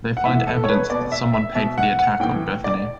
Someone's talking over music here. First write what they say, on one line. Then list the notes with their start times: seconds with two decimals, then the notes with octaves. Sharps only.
They find evidence that someone paid for the attack on Bethany.
0.17 F#5
0.25 A2 E3 E5
0.47 A4
0.64 C#5
0.69 B4
0.90 B2 D5
1.12 E5
1.34 E5
1.55 B2 E5
1.78 F#5
1.99 F#5
2.20 A2 G5
2.24 E3
2.64 D5